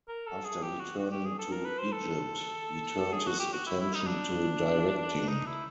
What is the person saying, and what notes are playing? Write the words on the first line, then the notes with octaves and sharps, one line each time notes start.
After returning to Egypt, he turned his attention to directing.
A#4
A4
G#4
G4
F#4
F#4
G4
G#4
A4
A#4
B4
C5
A4
G#4
F#4
G4
F#4
E4
E4
D#4
D4
D#4
E4